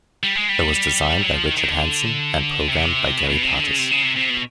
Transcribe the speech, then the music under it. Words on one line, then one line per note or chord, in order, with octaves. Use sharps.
It was designed by Richard Hanson and programmed by Gary Partis.
G3
G#3
G3
F#3
F3
D#3
D#3
D3
C3
B2
B2
C3
D3
C#3
C3
C#3
C3
C3
B2